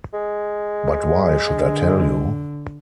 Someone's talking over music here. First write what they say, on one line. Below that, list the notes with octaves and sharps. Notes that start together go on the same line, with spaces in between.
But why should I tell you?
G#3
D3